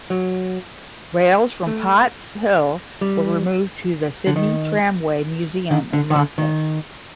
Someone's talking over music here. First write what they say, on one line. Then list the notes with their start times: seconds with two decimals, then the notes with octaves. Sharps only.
Rails from Potts Hill were removed to the Sydney Tramway Museum in Loftus.
0.10 F#3
1.67 A3
3.01 G3
4.27 D3
4.36 D#3
5.71 D#3
5.93 D3
6.10 D#3
6.16 D3
6.38 D#3